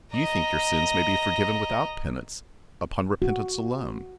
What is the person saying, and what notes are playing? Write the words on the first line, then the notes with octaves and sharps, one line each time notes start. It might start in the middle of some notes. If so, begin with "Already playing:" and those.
You think your sins may be forgiven without penance, upon repentance alone.'
D#5 A#5
F#4